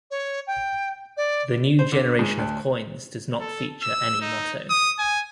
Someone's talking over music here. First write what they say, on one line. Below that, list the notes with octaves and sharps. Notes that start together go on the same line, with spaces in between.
The new generation of coins does not feature any motto.
C#5
G5
D5
C5
D3
G#2
D2
A4
E6
D#4
D#6
G#5